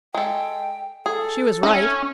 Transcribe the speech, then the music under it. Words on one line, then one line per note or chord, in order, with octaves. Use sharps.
She was right.
G#3 A4 G5
G#4 A4
C#4 E4